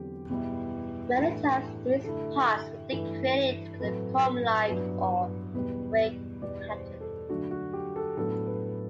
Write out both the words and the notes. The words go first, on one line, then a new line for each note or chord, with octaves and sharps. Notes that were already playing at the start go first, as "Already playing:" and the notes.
Many times these pots were decorated with a comb-like or rake pattern.
Already playing: E2 D3 F#3 C4 G4
E2 B2 G3 B3 E4
A2 E3 A3 D4
D3 A3 E4 A4
G2 E3 A3 E4
A2 F#3 A3 C4 B4
B4
G2 F#3 B3 E4 B4
E2 B2 G3 B4
E2 B2 G3 D5
C5
A4
D3 F#3 A3 D4 F#4
F#4
G4
A4
A2 F#3 B3 D4 A4
B4